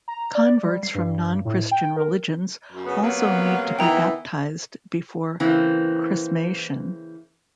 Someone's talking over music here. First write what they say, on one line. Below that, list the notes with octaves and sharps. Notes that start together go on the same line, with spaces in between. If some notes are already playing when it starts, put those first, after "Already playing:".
Converts from non-Christian religions also need to be baptized before chrismation.
A#5
D5
G3
C7
G2
A2
G5
A#4
F#2
C#3 B3
C3 F#3 A#3 B3
D#3 E3 B3 E4 G5 A#5
C#3 E3 A#3 C4